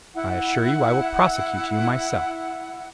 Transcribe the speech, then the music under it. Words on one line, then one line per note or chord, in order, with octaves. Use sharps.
I assure you I will prosecute you myself.
E4 F#5